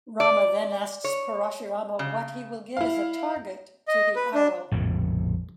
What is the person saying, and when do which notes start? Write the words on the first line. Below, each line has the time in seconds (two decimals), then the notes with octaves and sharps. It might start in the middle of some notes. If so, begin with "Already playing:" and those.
Rama then asks Parashurama what he will give as a target to the arrow.
0.20 D5
1.04 C#5
1.99 C#3
2.77 E4 F5
3.88 D#5
4.16 B4
4.34 D4
4.72 A#1 F2 A2 C#3